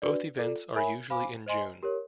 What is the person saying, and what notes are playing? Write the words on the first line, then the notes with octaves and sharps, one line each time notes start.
Both events are usually in June.
D4 F#4 B4 D5
F4 A4 D5
A#4 C#5 E5 G#5 B5
C5 F5 G#5 B5 D6
C5 D#5 G#5 C6
G4 A#4 C#5